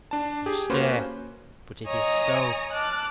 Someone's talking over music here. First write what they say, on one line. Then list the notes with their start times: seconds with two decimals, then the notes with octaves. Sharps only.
You stare. But it is so.
0.11 D4 A5
0.46 G4 G#4
0.70 A#3 C#4 F#4 B4 C5
1.86 C#5 D#5 G#5 A#5 D#6
2.71 A5 D6 F6 F#6